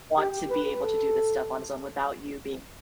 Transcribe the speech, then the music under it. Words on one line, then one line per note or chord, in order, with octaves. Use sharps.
want to be able to do this stuff on his own without you being,
G4
B4
A4